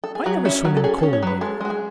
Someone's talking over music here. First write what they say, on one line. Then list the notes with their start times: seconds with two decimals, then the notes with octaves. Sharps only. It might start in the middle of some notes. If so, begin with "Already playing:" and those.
"I never swim in cold water."
0.04 A4
0.15 G#4
0.26 F#3 F#4
0.45 C#4 E4
0.65 F#3 F#4
0.77 A4
0.84 C#4 G#4
0.98 A4
1.03 C#4
1.13 C#5
1.22 F#3 B4
1.41 G#3 A4
1.60 G#3 F#4
1.70 G#4